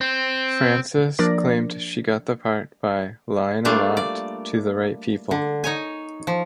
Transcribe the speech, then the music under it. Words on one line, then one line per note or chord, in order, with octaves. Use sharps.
Francis claimed she got the part by "lying a lot, to the right people".
C4
F3 A#3 D4 A#4 D5 A#6
G3 A3 A#3 D4 F4
D5
D3
D#4 C#5 G#5
F3